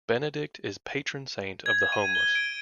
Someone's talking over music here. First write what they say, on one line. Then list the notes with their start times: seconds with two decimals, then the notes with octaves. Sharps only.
Benedict is patron saint of the homeless.
1.66 G#6
1.92 D#7
2.15 G7
2.35 D7